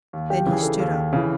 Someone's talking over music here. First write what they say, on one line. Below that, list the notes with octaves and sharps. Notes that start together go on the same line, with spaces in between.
Then he stood up.
D#2
G4
C#3 E3
G#4
A4
D#2
C#3 E3